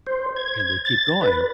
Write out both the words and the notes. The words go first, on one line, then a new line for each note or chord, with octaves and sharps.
and they keep going,
C5
G#6
A6
B4